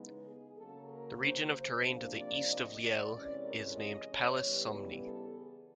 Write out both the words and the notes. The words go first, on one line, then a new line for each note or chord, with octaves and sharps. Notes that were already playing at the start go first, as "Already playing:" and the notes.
The region of terrain to the east of Lyell is named Palus Somni.
Already playing: C#3 E3 G#3 B3 D#4
G#4
C#3 F#3 A#3 A4
A#4
C5
C5
C3 F3 A#3 D4
D5
D#5
D5
C3 E3 G#3 C#4 D5
A#4
D#5
C#5
C#3 E3 G3 B3
B4
A4
G#4